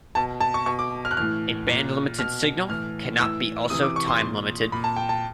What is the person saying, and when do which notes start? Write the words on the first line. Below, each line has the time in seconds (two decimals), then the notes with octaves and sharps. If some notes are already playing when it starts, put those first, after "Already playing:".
A bandlimited signal cannot be also timelimited.
0.15 B2 A5
0.40 A5
0.54 C#6
0.66 B2 C#6
0.79 D6
1.05 F6
1.11 F#6
1.17 A2 E3 F6
1.68 A#2
2.19 B2 F6
2.69 A2 E3 F6
3.19 A2 E3 E6
3.70 C3 E3 D#6
3.83 D6
3.96 C#6
4.08 C6
4.21 A#2
4.72 A#2 B5
4.84 A5
4.96 G5
5.09 A5